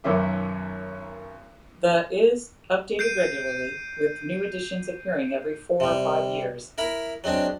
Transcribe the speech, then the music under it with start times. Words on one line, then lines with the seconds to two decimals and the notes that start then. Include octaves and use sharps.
The is updated regularly with new editions appearing every four or five years.
0.04 B1 F#2 D#3 C#4 E5 D6
2.99 G6 C7 D7 D#7
5.80 C3 G3
6.78 E4 A#4 B5
7.24 F#3 G#3 C4 D4